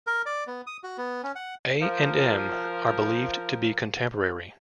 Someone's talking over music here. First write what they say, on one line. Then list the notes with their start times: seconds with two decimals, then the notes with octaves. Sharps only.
A and M are believed to be contemporary.
0.07 A#4
0.26 D5
0.47 B3
0.67 D#6
0.83 F#4
0.98 B3
1.23 C#4
1.35 F#5
1.81 F3 A#4